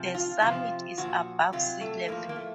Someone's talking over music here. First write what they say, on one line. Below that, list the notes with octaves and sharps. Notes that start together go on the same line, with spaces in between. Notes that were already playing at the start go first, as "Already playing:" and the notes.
The summit is above sea level.
Already playing: C3 F3
F4
C3 F3 F4
A#2 F3 F#4
C3 F#3 F4
A3
A2 F3 A#3
A#3
A3